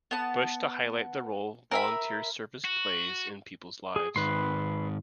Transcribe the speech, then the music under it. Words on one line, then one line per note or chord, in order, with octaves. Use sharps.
Bush to highlight the role volunteer service plays in people's lives.
B3 A5
A#4 E5 B5
F#4
G#4
G#2 D#3 B4 C6